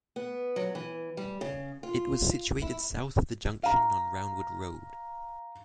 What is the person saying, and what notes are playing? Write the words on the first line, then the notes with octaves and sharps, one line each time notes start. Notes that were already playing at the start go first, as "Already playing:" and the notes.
It was situated south of the junction on Roundwood Road.
B3
F#3
E3
G3
C#3
F4
E4
F5 A#5